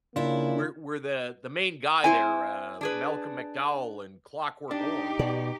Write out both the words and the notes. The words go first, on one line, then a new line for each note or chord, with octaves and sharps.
we're we're the the main guy there, uh, Malcolm McDowell in Clockwork Orange,
C#3 A#3 D4 E4 F4
C4 E4 C5 G#5
D4 G#4 B4
D4 D#4 G4
B2 D5